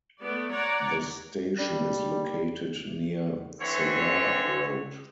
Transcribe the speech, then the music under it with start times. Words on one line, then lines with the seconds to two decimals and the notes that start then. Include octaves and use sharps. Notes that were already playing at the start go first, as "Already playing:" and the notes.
The station is located near Segar Road.
0.19 A3 B3 D5
0.52 C#5 D5 F#5 A#5
1.59 G3
3.60 D3 E3 C4 C#5